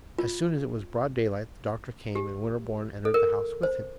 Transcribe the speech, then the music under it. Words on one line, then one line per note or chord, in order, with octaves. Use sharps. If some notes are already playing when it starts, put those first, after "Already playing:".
As soon as it was broad daylight the doctor came, and Winterborne entered the house with him.
F4
G4
A4
A#4
C5